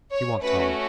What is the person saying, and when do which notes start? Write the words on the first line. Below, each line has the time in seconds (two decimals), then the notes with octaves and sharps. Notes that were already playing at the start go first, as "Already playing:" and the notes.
She walked home.
0.12 C#5
0.41 A3 C#4 F#4 B4